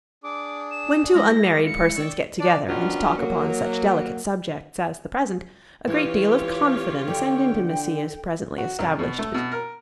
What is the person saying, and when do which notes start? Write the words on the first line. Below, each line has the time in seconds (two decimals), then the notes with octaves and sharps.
When two unmarried persons get together, and talk upon such delicate subjects as the present, a great deal of confidence and intimacy is presently established between them.
0.23 D4 G#4 D6
0.71 E7
1.15 G#3 E4 A#6
1.44 D5
1.65 F5 C#7
1.96 D5 G5 C#6 E6
2.40 D4 D5
2.68 D#3 F#3 B3 C#4 D4 F4
3.18 F#3 A#3
5.87 E3 F4 G4 C#5
7.08 D3 G5
8.58 F#4
8.79 C2
8.99 B2
9.18 A3
9.34 B2
9.52 A#4